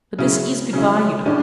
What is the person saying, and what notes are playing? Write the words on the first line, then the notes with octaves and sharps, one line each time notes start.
But this IS good-bye, you know.
C#3 F#3 C#4 E4
C#3 F#3 C#4 E4
A2 G#3 C#4 D4